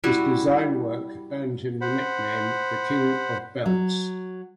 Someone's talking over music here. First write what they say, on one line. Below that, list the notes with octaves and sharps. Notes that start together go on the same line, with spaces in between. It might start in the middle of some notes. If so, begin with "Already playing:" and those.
His design work earned him the nickname "the King of Belts".
G3 E4 F#4
C5 F#5 B5
F#3